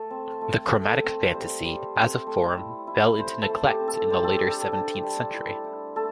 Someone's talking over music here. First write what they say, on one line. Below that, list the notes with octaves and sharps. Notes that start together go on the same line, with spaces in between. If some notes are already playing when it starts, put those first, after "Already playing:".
The chromatic fantasy, as a form, fell into neglect in the later seventeenth century.
Already playing: A3 A4
C4
A3
A3
C4
G3 C5
G3
C4
A3
E4
E4
A3 C5
A4
A3
G4
C4
A4
G3 C5
A4
D4 G4
A4
D4
G3
E4
E4
A3 A4